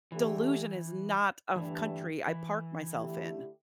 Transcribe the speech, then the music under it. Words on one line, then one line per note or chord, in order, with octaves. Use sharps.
delusion is not a f country I park myself in.
D3 E3 A3 G4
G2 D3 E3 A3 D4 G4
E3
D3 A3 E4 G4